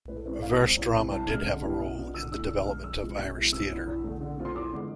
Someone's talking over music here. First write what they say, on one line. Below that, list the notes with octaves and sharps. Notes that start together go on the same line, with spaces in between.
Verse drama did have a role in the development of Irish theatre.
A2 B4
A4
G#3 C4 E4 B4
D5
A2 F5
G#3 C4
E2
C3 E3
C2 A5
C3 G#3 D4 F6
D3
G#3 B3 E4
B2
B3 D4 F4
D3 E6
A3 E4 E6
D3 E6
G#3 B3 F6
F2 E6
C3 F3 G#3
B2
G#3 B3 E4
C3 E6
E3 B3 D4 F4
E2
D3 A3
D3
A3 C4 F4
C6
E2 D6
D3 G#3 B3